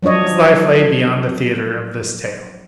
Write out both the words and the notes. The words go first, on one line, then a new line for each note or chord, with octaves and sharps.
His life lay beyond the theatre of this tale.
F3 F#3 D4 C#5 D#5